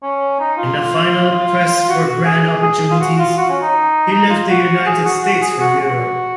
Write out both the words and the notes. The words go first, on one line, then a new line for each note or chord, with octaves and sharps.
In a final quest for grand opportunities, he left the United States for Europe.
C#4
D#4
F4
F4
F#4
F#4
G#4
G#4
F4
F#4
F4
F#4
C#4
D#4
D#4
F4
F#4
G#4
F#4
F#4
G#4
F#4
F#4